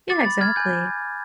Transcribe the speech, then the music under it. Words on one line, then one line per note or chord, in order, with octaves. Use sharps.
Yeah, exactly.
D6 A6
B5 A6
F6 G#6
G#5 G6